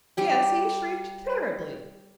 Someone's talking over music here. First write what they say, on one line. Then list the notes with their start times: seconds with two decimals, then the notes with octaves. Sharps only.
Yes, he shrieked terribly!
0.17 G3 G4 G#5